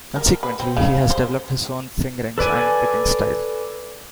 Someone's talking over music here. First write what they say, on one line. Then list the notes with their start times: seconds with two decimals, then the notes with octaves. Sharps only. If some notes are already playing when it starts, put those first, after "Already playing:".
Consequently, he has developed his own fingerings and picking style.
0.16 A#4
0.43 B4
0.60 C4
0.77 C#3
1.10 C5
2.38 A4 B4 D5 G#5